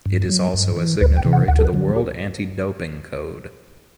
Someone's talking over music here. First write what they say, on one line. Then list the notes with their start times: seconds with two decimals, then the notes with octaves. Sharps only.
It is also a signatory to the World Anti-Doping Code.
0.06 G2
0.29 F#3
0.54 G2
0.77 E3
1.01 D2 B4
1.17 G5
1.25 C3 E3
1.33 F#5
1.48 D2 F#5
1.59 A4
1.65 B4
1.73 D3 F#3
1.96 G4